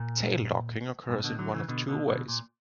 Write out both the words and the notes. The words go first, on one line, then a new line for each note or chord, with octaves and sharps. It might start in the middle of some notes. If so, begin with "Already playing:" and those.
Tail docking occurs in one of two ways.
Already playing: A#2
G2 B2
B2 D3
D3 F#3
C#3 E3
B2 D3
B2 D3
B2 D3
A#2